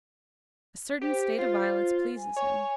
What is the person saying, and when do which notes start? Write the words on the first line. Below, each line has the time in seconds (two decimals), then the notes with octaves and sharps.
A certain state of violence pleases him.
1.01 G4 C5
1.38 F4
2.17 G#5
2.36 C#5